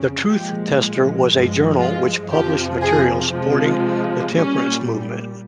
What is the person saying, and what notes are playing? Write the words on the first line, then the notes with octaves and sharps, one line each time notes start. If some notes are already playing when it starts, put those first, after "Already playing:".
The Truth-Tester was a journal which published material supporting the temperance movement.
Already playing: F2 C#3
A#2 F3 G#3 G4
G2 F3 G#3
F4
F2 C3 F3 G4
G#4
C3 F3 G#3
A#2 G3 C#4